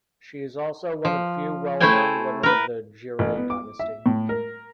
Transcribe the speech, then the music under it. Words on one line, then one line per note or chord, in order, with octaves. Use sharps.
She is also one of few well known women of the Giray dynasty.
F3
A3 E4 A4 C5 G5 G#5
A#4 B4
A1
B3
D6
E5
A2
A#4